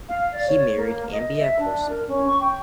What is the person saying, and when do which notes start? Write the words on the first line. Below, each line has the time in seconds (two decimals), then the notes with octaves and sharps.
He married Ambia Corson.
0.08 F5
0.31 D5
0.46 C#5
0.75 A#3
1.11 D#5
1.38 E5
1.58 D4
1.88 A#4
2.07 C#4
2.27 C#6
2.39 G5